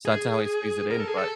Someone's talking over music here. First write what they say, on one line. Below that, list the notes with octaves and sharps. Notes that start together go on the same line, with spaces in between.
so, that's how I squeeze it in, but
G#4
A#4
A4
G#4
A4